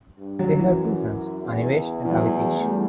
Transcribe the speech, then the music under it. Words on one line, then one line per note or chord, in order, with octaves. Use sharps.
They have two sons, Anivesh and Avitesh.
G2
F#3
F#2
E3
E2
E2 E3
F#3
E3
F#3
E3
A3
G3